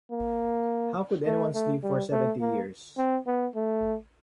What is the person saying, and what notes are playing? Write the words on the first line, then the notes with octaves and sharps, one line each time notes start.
How could anyone sleep for seventy years?
A#3
A3
A3
G3
A3
A#3
C4
B3
A3